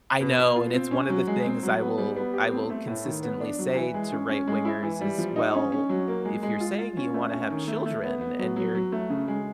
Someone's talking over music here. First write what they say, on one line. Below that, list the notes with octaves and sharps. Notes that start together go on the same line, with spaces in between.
I know, and it's one of the things I will I will consistently say to right-wingers is, "Well, if you're saying you wanna have children and you're
B2
B2
F4
C4
C#4
F#3
G#3
C4
F#3
B3
G3
B3
G4
C4
A3
A2
D#3
B3
D4
F#3
E3
G#3
C#4
C#4
G#3
E4
E3
G3
F3
D#4
C#4
C#4
F#3
A#3
G#3
G#3
F4
F4
C#4
A3
C#4
D#3
A3
A3
B3
B3
F#3
F#3
F#3
A3
C#3
G#3